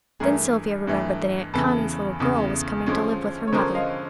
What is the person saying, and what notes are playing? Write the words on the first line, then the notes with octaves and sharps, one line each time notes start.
Then Sylvia remembered that Aunt Connie's little girl was coming to live with her mother.
G2 E3 A3 G#4 A#4
G2 E3 A3
E2 C#3 E3 A4 B4
E2 C#3 E3
D3 F3 G#3 C#4
C#5
D3 F3 G#3 C#4 A#4 C5
D#5 F5